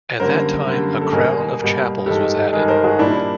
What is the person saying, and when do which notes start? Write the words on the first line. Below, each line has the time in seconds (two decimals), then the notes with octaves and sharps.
At that time, a crown of chapels was added.
0.20 F#2 D3 G3 A#3 A#4 C5
0.66 F#2 D3 G3 A#3
1.01 A4
1.13 B2 G3 A#3 G#4 A#4
1.59 B2 G3 A#3
2.06 G2 D#3 G#3 G4 A4
2.53 G2 D#3 G#3 G#4 A#4
2.68 A#4 C5
2.84 F#4 G#4
2.99 A#2 G3 A#3 D4 E4